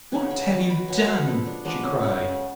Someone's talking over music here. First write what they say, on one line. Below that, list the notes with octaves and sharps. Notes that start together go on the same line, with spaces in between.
'What have you done?' she cried.
C#3 G#3 B3 G#5
G#5
B2 F#3 B3 A5
B5
B2 F#3 B3 G#5
F#5
F5
B4
F3 G#3 B3 A4
D4
F3 G#3 B3 D4
C#4
C#3 G#3 B3